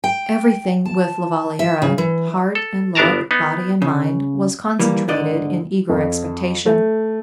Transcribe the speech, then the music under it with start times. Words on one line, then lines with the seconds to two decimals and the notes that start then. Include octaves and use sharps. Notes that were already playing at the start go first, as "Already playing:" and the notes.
Everything with La Valliere, heart and look, body and mind, was concentrated in eager expectation.
0.04 G5
0.85 A5
1.59 E5
1.82 C#3
1.98 E3
2.55 A4
2.95 G1 B3 D4 A#4 A5 A#5
3.31 B3 D#4
3.82 C#3
4.79 E3 G3 A#3
5.08 G#2 D3 D5 D#5
5.89 F2
6.66 A3